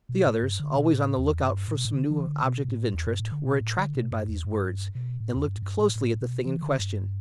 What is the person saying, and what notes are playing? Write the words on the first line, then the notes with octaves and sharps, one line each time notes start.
The others, always on the lookout for some new object of interest, were attracted by these words, and looked closely at the thing in question.
B2
A2
G2
D3
B2
A2
E2
G2
A2
B2
A2
D3
E3
D3
B2
B2
A2
E2
G2
A2
D3
B2
A2
D3
B2
G2
E2
G2
B2
A2
E2
G2
A2
G2
A2
A2
B2
E3
D3
G2